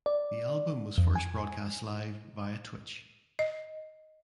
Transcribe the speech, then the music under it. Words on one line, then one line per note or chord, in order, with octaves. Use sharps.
The album was first broadcast live via Twitch.
D5
F2
G#5
D#5